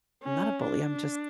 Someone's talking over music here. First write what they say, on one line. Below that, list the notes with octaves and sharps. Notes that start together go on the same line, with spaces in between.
I'm not a bully, I'm just
C#4
D4